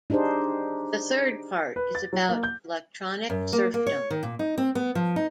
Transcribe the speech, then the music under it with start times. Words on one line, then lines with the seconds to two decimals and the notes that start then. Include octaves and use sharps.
The third part is about 'electronic serfdom.
0.10 D4 D#4 G4 G#4 C5
1.76 B4
1.95 A6
2.13 F#3
2.29 A#3
2.43 G6
3.30 F#2
3.53 A#3
3.74 A#3
3.86 C#5
4.10 D#3
4.23 A#2
4.39 D#4
4.58 C4
4.75 B3
4.95 F3
5.16 D#4